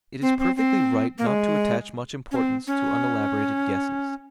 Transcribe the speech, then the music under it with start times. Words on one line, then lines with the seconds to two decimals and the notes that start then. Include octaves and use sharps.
It is perfectly right not to attach much importance to unelaborated guesses.
0.22 C4
0.39 C4
0.56 C4
1.18 A#3
1.27 G#3
2.31 C#4
2.36 C4
2.67 C#4